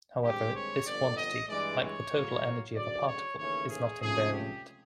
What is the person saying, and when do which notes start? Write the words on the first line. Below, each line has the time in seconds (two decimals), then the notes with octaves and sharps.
However, this quantity, like the total energy of a particle, is not invariant.
0.23 G2 D#3 G#3 C4 G4
0.55 C#5
0.86 G1 F2 D3 D5
1.17 D#5
1.49 G2 E3 G#3 D5
1.81 C#5
2.12 A2 F#3 A#3
2.75 D2 C#3 F#3 D5
3.07 C#5
3.38 D#2 C#3 E3 A3 C#4 C#5
3.69 G#4
4.01 C#2 C3 F3 A3 C#4 G#4
4.33 G4